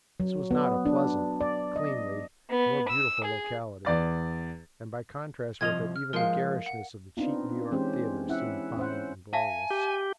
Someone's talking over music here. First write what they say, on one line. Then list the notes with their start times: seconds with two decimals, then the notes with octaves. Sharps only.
This was not a pleasant, cleanly, nor beautiful locality, and by contrast with it, even the garishness of the cheap New York theatre seemed fine and glorious.
0.20 F#3
0.51 B3
0.85 D4
1.41 D5
1.76 D#5
2.50 B3
2.89 E6
3.24 G#4
3.85 E2 D5 A6
5.61 C2 F3 D#5 G#6 F7
5.96 F6
6.13 F3 G#3 A#4 F5
6.66 F#5
7.17 B3 C4 D4 D#4 F4
7.71 E3 G#3 C4 C#4 G4 C5
8.28 C#4 E4 E5 F#5
8.77 C#4 C5 F#5
9.33 E5 F5 G#5 A5
9.71 G4